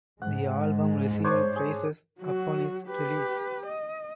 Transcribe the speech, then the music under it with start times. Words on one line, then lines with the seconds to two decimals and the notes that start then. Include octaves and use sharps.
The album received praise upon its release.
0.22 G#2 G#3 F#5
1.24 D4 C5 C#5
1.56 G#4
2.19 F#3 F#4
2.88 G4 B4
3.66 D#5